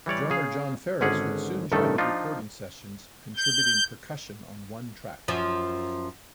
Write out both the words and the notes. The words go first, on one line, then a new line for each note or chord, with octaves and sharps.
Drummer Jon Farriss would soon join the recording sessions, contributing percussion on one track.
E3 G3 C#5 D5
C#3 G#4 F5
G#1 D3 C#4 G#4 F#5
A1 G2 D#3 A3 A4
F3 D4 D#4 F4
G6
F#2 F3